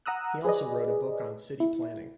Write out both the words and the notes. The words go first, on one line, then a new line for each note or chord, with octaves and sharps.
He also wrote a book on city planning.
F#5 A#5 D#6 E6 F#6
G#4 B4 D5 D#5
E4